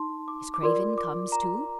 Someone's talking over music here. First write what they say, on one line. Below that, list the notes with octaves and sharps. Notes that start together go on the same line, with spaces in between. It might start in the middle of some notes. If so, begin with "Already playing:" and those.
Miss Craven comes too?
Already playing: D#4 A5 C6
D6
D6
F4 A#4 D5 C6
D6
A#5